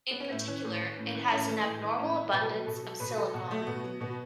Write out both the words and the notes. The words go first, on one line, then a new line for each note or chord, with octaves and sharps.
In particular, it has an abnormal abundance of silicon.
B3
C#4
A2 E4
E3 C#4
A2
E3
A2
E3
A2 C#4
E3 A3
A2
E3
A2 C#4
E3 E4
B2 B4
A4
F#3 B4
B2 A4
F#3
B2 B4
F#3 A4
B2 F#4
F#3 A3
A3
B2 B3
F#3
B2 B3